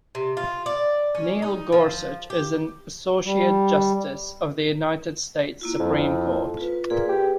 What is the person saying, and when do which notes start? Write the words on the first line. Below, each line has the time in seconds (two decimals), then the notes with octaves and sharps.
Neil Gorsuch is an Associate Justice of the United States Supreme Court.
0.15 C3
0.37 F4
0.66 D5
1.15 C#4
1.42 D#4
1.72 F3
2.30 G4
3.26 G3
5.61 A#3 E4 F4
5.80 F2
6.57 F4 B4
6.90 A#2 G#4 B4
7.09 G4